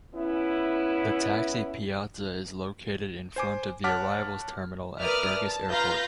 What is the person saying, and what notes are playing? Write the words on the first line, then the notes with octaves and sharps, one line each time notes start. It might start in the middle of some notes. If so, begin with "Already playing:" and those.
The Taxi Piazza is located in front of the Arrivals Terminal at Burgas Airport.
B3 C#4 E4
C5 G#5 D6
C#5 F#5 A5 D6 F6 B6
A#4 B4 D5 E5 D#6 F6
A5
F4 B4 F5 A#5 G6 A#6